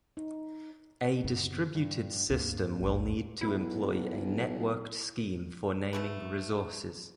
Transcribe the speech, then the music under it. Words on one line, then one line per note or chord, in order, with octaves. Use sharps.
A distributed system will need to employ a networked scheme for naming resources.
D#4
F#2 C#3 B3 E4
G2
D2 G2 A#3
A1 D#2
B1 E4
B2 A3 B4